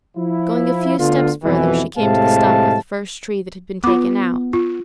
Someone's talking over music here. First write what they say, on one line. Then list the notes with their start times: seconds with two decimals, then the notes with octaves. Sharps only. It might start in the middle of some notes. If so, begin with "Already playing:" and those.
Going a few steps farther, she came to the stump of the first tree that had been taken out.
0.16 F3 E4
0.97 D2 D3 B3 F4
1.44 F2 B2 E3
1.98 A2 C3 G#3 F5 A5
3.84 B3 F4 D6
4.53 F4